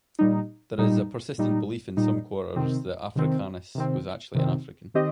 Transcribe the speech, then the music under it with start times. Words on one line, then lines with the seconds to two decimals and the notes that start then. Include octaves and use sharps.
There is a persistent belief in some quarters that Africanus was actually an African.
0.19 A#2 G3 D#4
0.78 A#2 G3 D#4
1.38 A#2 G3 D#4
1.97 A#2 G3 D#4
2.56 C3 D#3 C4
3.16 C3 D#3 C4
3.75 C3 D#3 C4
4.35 C3 D#3 C4
4.94 D#3 C4 G4 D#5